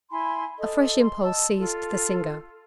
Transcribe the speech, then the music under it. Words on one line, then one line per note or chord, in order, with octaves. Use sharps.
A fresh impulse seized the singer.
E4 G#5 B5 C6
A4 D#5
C6
D#5 A5 E6
F4 A4